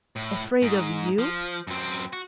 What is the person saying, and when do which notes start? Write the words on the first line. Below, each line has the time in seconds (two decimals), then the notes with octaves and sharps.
Afraid of you?
0.16 A2
0.62 G#2
1.18 F3
1.67 F#2 C4
2.13 F#4